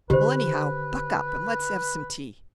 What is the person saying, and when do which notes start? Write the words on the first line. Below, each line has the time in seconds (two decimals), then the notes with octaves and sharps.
Well, anyhow, buck up, and let's have some tea.
0.10 D3 D#3 G4 B4 C5